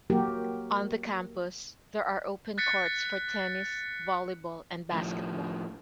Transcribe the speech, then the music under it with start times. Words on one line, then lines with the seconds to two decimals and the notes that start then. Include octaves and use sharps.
On the Campus there are open courts for tennis, volleyball and basketball.
0.10 F#3 A#3 F#4 G4 A#4
2.58 F#6 A6 B6 C#7
4.92 A2 F3